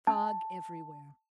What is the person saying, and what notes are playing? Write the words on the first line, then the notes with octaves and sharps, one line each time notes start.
Fog everywhere.
A5